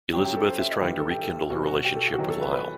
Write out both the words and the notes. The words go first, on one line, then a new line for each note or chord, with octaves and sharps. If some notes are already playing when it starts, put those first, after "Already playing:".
Elizabeth is trying to rekindle her relationship with Lyle.
G1 F#2 F#3 G4
G4
A4
C5
E5
D#5
A1 G2 D#3 G4
A4
G4
A4
B1 B2 F#3 F#4
F#4
G4
A4
G4
F#4
E2 D#3 F#3 G4
A4
B4
B4